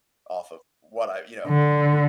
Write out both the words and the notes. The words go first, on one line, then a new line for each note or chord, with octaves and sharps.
Off of what I you know,
D3